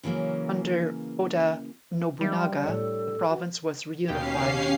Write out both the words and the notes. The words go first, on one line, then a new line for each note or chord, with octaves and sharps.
Under Oda Nobunaga, the province was reunified.
C#3 E3 F#3 A#3 C#4
F#3 G3 D4 E5
A2 D4 A4 C#5
F#4 B4
D#2 B2 C#4 G4 F5 C7